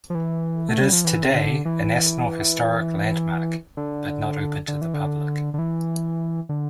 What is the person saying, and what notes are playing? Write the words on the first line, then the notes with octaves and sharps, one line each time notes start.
It is today a National Historic Landmark, but not open to the public.
F3
E3
A3
G3
F3
E3
C3
D3
E3
D3
D3
E3
D3
D3
E3
D3